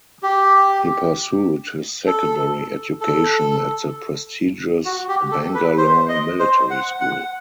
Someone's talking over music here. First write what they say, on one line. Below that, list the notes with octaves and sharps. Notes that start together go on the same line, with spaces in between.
He pursued his secondary education at the prestigious Bangalore Military School.
G4
A4
A4
F#4
G4
A4
B4
C5
D#5
C5
F#5
F#5